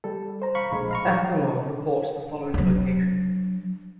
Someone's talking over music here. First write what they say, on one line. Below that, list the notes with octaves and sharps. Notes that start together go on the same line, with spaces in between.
"Ethnologue" reports the following locations.
G3 A4
C5 A#5
F5 B5 C#6
A#1 G#3 B5
F5 A#5 C#6
F#3 D4